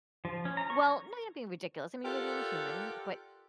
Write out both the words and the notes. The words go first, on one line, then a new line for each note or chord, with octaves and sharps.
Well, now you're being ridiculous. I mean, you're being human. But
F3
C#4
A#5
C#6
F4 G4 A4 A#4 D5 F#5